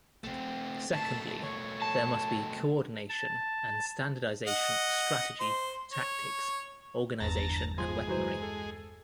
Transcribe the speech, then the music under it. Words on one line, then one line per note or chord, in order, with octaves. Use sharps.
Secondly, there must be co-ordination and standardisation of strategy, tactics, organisation and weaponry.
A3 C4
B2 A3 A5
C#5
A5
A5
D#5 F#5
C5
C#5
G1 E2 G2 A5 A#5
F3 G#3 G#4 C6
E3 F#3 C5
A4